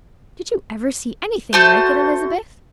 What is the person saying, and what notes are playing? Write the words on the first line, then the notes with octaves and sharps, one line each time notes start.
"Did you ever see anything like it, Elizabeth?"
A3 F#4 A4 C5